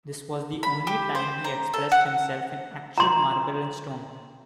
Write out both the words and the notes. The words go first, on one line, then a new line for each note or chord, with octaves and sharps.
This was the only time he expressed himself in actual marble and stone.
B5
G4
C5
A#5
A4
F#5
A#5 C6